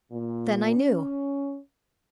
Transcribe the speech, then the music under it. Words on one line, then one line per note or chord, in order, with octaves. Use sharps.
Then I knew.
A#2
C#4